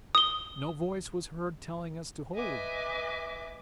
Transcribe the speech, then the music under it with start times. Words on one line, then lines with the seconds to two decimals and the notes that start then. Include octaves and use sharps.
No voice was heard telling us to hold!
0.15 D#6 G7
2.34 B4 D#5 E5 G#5 D6